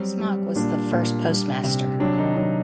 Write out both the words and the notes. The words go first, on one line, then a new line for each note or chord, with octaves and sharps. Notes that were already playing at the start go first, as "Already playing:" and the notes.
Smock was the first postmaster.
Already playing: F#3 G3 C4
G3
A#2 D4
A#2
G3
C3
F#3 D4
D#3 D#4
F#3 D4